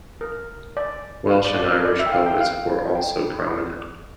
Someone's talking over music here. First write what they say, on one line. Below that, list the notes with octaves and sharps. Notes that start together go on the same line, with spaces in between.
Welsh and Irish poets were also prominent.
A#4
D5
F5
D5
D5
A#4
D5
E5
G5
F5
G5
F5
G5